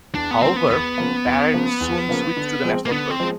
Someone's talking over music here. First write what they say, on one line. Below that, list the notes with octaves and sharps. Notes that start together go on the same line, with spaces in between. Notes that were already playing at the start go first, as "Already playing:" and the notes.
However, Perrett soon switched to the National Party.
E2 D4
B3
C#3 F3 A#3 C4
B3
E2 B3
C#3 F3 A#3
E2
C#3 F3 A#3
E2
C#3 F3 A#3
D3
F3 G#3 C4
A#3
D3 B3
C4
F3 G#3